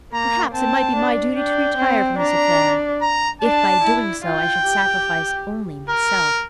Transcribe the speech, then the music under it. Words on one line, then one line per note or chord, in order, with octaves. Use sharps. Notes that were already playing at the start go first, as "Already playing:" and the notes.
Perhaps it might be my duty to retire from this affair, if by doing so I should sacrifice only myself.
A#3 A#5
C4 A5
D4
D4 G5
C4
D4 A#5
A#5
D4 A5
E4
F4 G5
G4
A#4